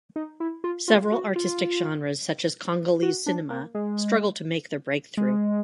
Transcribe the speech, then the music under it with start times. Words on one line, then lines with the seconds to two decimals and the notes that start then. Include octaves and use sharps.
Several artistic genres such as Congolese cinema struggle to make their breakthrough.
0.16 D#4
0.40 E4
0.64 F4
0.88 F4
1.12 F#4
1.36 F4
3.02 F#4
3.26 D4
3.50 A#3
3.75 G#3
5.17 G#3